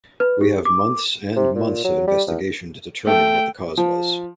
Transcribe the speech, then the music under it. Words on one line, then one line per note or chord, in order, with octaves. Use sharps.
We have months and months of investigation to determine what the cause was.
B4
G4
D6
C3
A#2
F#3
G3
E2
A3 G5
F3